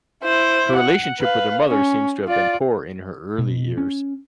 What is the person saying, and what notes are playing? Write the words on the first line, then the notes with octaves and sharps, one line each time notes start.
Her relationship with her mother seems to have been poor in her early years.
E4 C5
F#5
B4 F5
C#4
F4 D5
B2
C#4